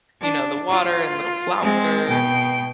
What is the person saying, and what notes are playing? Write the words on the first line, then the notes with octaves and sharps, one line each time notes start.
you know, the water and little Flounder,
D4
F4
G#3 C4
B2 G5